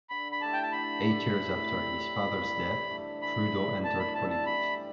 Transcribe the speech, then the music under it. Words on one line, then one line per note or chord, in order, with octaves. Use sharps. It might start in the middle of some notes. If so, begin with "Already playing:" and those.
Eight years after his father's death, Trudeau entered politics.
D3 B5
B5
A3 E4 G4 A5
G5
A5
D3 B5
A3 E4 G4
A2
G3 C4
A2
G3 C4
E3
A3 D4
E3 B5
A3 D4
E3 A5
B5
G3 C4 A5
A5
E3 B5
G3